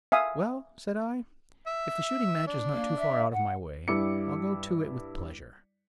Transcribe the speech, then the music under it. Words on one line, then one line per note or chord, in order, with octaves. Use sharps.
"Well," said I, "if the shooting-match is not too far out of my way, I'll go to it with pleasure."
E5 F5 G#5 D#6
E5
D4
A#3
E5
F#5
G2 G3 E4 D6 C#7